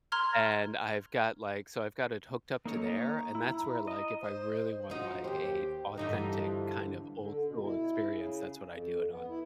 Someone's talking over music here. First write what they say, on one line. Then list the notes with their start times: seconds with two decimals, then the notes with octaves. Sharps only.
and I've got, like so I've got it hooked up to there, and that's where, like, if I really want, like, a authentic kind of old school experience, that's what I do it on.
0.12 A#5 C6 F6 G#6
2.65 A#3 D#4 A4 C#5
2.87 A#5
3.35 E4
3.87 D#5
4.21 C5
4.90 F3 D#4 F#4
5.24 D#2 G4 C5
5.98 G2 D3 E3 D#4
6.31 F3
7.19 D3
7.47 B2
7.62 E4
8.05 C#3
8.67 F2
9.10 B3
9.29 E4